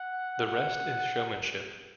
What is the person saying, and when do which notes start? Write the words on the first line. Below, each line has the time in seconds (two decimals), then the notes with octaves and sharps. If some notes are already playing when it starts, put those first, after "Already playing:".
The rest is showmanship.
Already playing: F#5
0.47 F#5